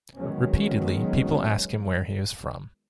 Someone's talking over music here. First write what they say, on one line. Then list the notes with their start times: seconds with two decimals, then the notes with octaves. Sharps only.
Repeatedly, people ask him where he is from.
0.16 D#3 F#3 G#3 B3 C#4